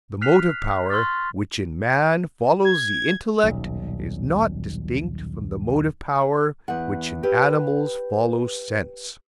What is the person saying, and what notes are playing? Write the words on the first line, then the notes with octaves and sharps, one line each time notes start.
But the motive power which in man follows the intellect is not distinct from the motive power which in animals follows sense.
F6 F#6 B6 C7 F7
C6 C#6 F6 A6
G#6
D#1 B1
E2 F#5
G4 B4